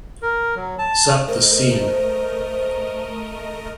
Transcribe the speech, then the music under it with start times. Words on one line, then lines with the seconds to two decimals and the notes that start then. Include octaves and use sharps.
Set the scene.
0.22 A#4
0.56 F#3
0.79 A5
1.28 A3 A#4 C5 D#5